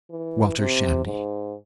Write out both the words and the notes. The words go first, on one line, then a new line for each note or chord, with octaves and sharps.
Walter Shandy.
E3
C3
G#2